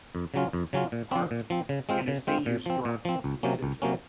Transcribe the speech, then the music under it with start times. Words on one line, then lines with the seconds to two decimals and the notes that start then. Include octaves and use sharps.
Park and a Seniors Drop In Centre.
0.15 F2
0.34 C#3 F#3 C#4 F4
0.53 F2
0.73 C#3 F#3 C#4 F4
0.92 A#2
1.11 F3 C4
1.31 A#2
1.50 F3 C4
1.69 C#3
1.89 G#3 C4 F4 C5
2.08 C#3
2.27 G#3 C4 F4 C5
2.46 A#2
2.66 F3 C4
2.85 A#2
3.05 F3 C4
3.24 C#2
3.43 C3 F#3 A#3 C#4
3.63 C#2
3.82 C3 F#3 A#3 C#4